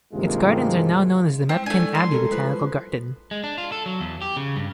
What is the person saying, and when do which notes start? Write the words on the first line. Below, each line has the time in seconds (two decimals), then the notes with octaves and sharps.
Its gardens are now known as the Mepkin Abbey Botanical Garden.
0.14 G2 C3 D#3 G#3 A#3 F4
1.49 G3 G#3 C4 E4
1.66 A3 D4 G#5
1.95 C6
2.11 A4 A#4
2.31 F3 B4
3.31 G#3
3.44 D4
3.58 F4
3.72 A4
3.86 F#3
4.00 E2
4.22 G4
4.36 C#3
4.56 G2